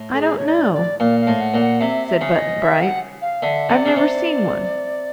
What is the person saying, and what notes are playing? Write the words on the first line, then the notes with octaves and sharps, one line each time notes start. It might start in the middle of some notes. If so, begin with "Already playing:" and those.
"I don't know," said Button-Bright; "I've never seen one."
Already playing: A2
A4
G#4
C#5
D5
D5
A#2 F5
F5
A2
F#5
A#2
F#5
C3 E5
E5
C#3
D#5
E5
F#5
F5
D3 E5
C3 D5
C#3
C3 D5